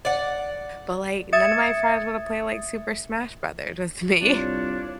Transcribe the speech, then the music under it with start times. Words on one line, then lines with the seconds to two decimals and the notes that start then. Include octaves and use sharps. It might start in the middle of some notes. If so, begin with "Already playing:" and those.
but, like, none of my friends wanna play, like, Super Smash Brothers with me.
0.05 D5 F#5
1.33 E5 D#6 G#6 A6 C#7
4.21 C2 D4 F4 C#5